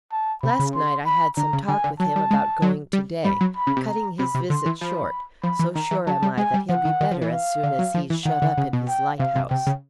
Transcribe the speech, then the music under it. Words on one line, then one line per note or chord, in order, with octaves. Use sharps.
Last night I had some talk with him about going to-day, cutting his visit short; so sure am I that he'll be better as soon as he's shut up in his lighthouse.
A5
C3 B5
C#3
C6
B5
D3 A#5
C#3
D3 G#5
D3
F#3 A5
G3
G#3
F#3
G3
G3 B5
F#3
B5
C#3
C3
A#5
C3 B5
C3
D3 C6
E3
F3 B5
F3 B5
E3
D#3 A#5
E3
F#3 A5
G3
G#3 G#5
G3
F3 F#5
D#3
D#3
F3
E3
F5
D3
F#3
F3
E3
D#3 F#5
D3
C#3
B2
G5
C3 F5
C3
C3 G5
C#3